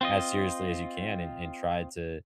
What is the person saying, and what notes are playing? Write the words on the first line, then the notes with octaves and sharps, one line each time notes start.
as seriously as you can and and try to
C4 F4 D#5